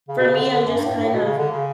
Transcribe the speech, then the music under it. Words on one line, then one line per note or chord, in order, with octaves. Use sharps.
for me, I just kind of
C#3
B2
C#3
D3
D3
F#2
G2
A2
G2
A2
B2
C#3
D3
C#3